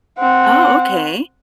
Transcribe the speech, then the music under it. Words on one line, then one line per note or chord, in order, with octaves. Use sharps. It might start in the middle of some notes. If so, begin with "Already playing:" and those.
Oh, okay,
C4 F#5